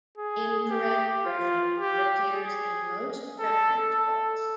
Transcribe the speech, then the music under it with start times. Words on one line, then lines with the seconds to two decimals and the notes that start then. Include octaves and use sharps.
Incorrect version that appears in most reference books.
0.18 G#4
0.70 G4
1.25 F4
1.79 G4
2.33 G#4
3.39 A4
3.93 A4